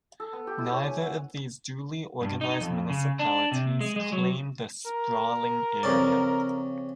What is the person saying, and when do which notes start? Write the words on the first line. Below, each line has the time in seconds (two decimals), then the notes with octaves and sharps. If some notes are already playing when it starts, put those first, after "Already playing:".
Neither of these duly organized municipalities claimed the sprawling area.
0.20 A4
0.33 B3
0.47 G4
0.58 E4
0.72 C#5
0.85 G#5
1.01 F#5
2.21 G2
2.41 D#4
2.61 F2
2.89 C#3
3.19 D4
3.52 C3
3.80 G#3
3.96 G#3
4.12 F#3
4.86 A#4
5.83 F2 C#3 D5